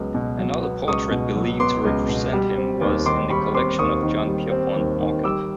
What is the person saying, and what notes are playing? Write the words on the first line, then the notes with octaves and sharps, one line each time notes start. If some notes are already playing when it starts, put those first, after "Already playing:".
Another portrait believed to represent him was in the collection of John Pierpont Morgan.
Already playing: C#2 F#3 B3
B2
F#3
B3
C#2 C#6 D#6
B2
F#3
B3 C6 D6
C#2
B2
G3
C4
D#2
D#3 C6 D6
G3 B5 C#6
C4 C6 D6
D#2 C#6 D#6
D#3
G3
C4
D#2
D#3
G3 D6 E6